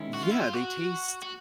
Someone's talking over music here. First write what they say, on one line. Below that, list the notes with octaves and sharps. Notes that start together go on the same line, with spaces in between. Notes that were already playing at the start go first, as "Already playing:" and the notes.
Yeah, they taste
Already playing: D#3 G#3 C#4 E4
F#4
F4
E4
F4
F#4
F#4